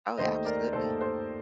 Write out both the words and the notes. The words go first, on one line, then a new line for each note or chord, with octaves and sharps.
Oh, yeah, absolutely.
D#2 D#3 A3 C5 D#5
A#4 D5
D#2 D#3 A3 A4 C5
A4 C5